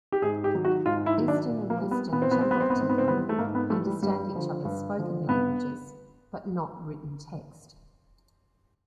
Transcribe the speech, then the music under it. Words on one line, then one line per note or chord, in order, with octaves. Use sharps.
Eastern and Western Jakalteko understand each other's spoken languages, but not written text.
G4
G#2 G#4
G4
D#3 F#3
F#4
G#2 F4
E4
D#3 F#3
D4
A#2
A#3
G3
B3
A#2 B3
C4
B3
G3 C4
B3
C4
B3
G#2 C4
B3
C4
E3 G3 B3
A3
G#2 A#3
B3
E3 G3 A3
G3
G2 G3
D3 F3
G2
D3 F3
G2 B3